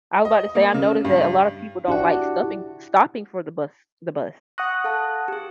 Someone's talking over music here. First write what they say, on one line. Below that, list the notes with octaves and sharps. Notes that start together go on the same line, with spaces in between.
I was about to say I noticed that a lot of people don't, like, stuffing stopping for the bus the bus.
D#5
A#3
C#3
G2
D4 E4 F#4 G4 F#5
F#5 C#6 D#6 F#6 A#6
A4 F5 A5
G4 G#4